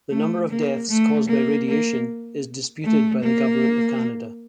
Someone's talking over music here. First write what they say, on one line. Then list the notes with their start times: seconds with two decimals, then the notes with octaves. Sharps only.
The number of deaths caused by radiation is disputed by the Government of Canada.
0.11 A3
0.50 A#3
0.89 A3
1.28 A#3
1.68 A#3
2.84 A3
3.23 A#3